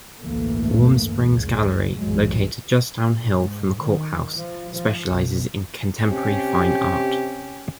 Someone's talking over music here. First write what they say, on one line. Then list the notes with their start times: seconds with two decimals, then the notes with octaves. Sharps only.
Warm Springs Gallery, located just downhill from the courthouse, specializes in contemporary fine art.
0.22 A1 D2 G2 E3 A3 A#3
1.24 G#1 C#2 F#2
1.94 B1 F#2 A2 E3 F#3 G#3
3.06 A#2
3.38 G#2
3.81 D#3
4.36 F3
4.74 F3
5.09 B1
6.11 C3 C#4 G4